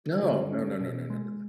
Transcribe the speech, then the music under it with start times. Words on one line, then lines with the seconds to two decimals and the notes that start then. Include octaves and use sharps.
No, no, no, no, no, no, no, no.
0.23 D3
0.52 C#4
0.81 B2
1.10 G#3